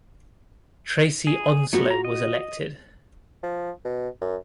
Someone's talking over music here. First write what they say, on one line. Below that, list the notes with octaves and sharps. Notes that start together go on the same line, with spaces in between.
Tracey Onslow was elected.
G#4
F#3 A3 B3 F4 F#4
A#5
D#5
F3
B2
F#2